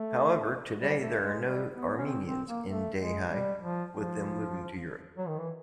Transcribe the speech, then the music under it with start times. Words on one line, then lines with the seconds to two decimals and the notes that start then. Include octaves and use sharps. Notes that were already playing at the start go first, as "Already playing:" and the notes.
However, Today there are no Armenians in Dehi, with them moving to Europe.
Already playing: A3
0.81 G3
1.02 A3
1.23 G#3
1.44 G3
1.75 B3
1.97 C#4
2.05 C4
2.27 C4
2.48 A#3
2.68 A3
2.99 G#3
3.31 G3
3.62 F3
3.92 F3
5.18 F#3
5.28 D#3
5.38 E3